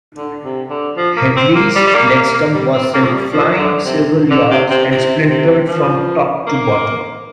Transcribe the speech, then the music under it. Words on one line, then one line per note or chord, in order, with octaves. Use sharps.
Headley's leg stump was sent flying several yards and splintered from top to bottom.
D3
C3
D3
F3
A#3
C4
A#3
G3
G3
A#3
A#3
A#3
G3
C4
A#3
F3
G3
F3
D3
C3
D3
C3
C3
C3
C3
F3
A#3